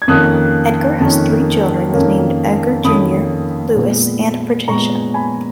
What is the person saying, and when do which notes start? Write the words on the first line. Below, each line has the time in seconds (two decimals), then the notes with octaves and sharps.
Edgar has three children named Edgar Junior, Louis and Patricia.
0.02 G#6
0.08 F2 D#3 A#3 C#4 D#6 F#6
1.00 F2 D#3 A#3 C#4
1.92 F2 D#3 A#3 C#4
2.84 F2 D#3 A#3 C#4 B5 D#6
3.76 A#2 G#3 B3
4.68 A#2 G#3 B3 A#5 C#6
5.14 G#5 B5